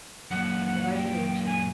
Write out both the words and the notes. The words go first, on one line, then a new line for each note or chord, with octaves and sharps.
I congratulate ye.
F#2 A#2 F#5
G5
G#5